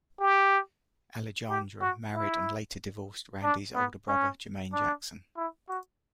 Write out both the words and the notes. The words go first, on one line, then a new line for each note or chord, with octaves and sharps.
Alejandra married and later divorced Randy's older brother, Jermaine Jackson.
G4
G4
F#4
E4
D4
B3
C#4
D4
E4
F#4